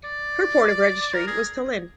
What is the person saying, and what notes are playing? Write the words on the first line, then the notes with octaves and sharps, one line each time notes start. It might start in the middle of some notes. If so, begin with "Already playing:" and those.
Her port of registry was Tallinn.
D5
A#4
G#4